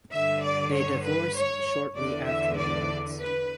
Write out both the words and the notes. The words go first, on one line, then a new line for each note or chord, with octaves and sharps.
They divorced shortly afterwards.
G2 D3 E5
D5
C#5
B4
C#5
E2 D3 D5
E5
D5
B4